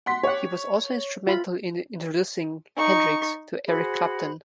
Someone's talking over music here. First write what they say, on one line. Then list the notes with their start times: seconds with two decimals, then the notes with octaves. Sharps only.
He was also instrumental in introducing Hendrix to Eric Clapton.
0.06 F#5 C6 B6
0.23 G4 C#5 F#5
1.27 F4 B5
2.76 D#4 C#6
3.67 F#4 G#4 C5 B5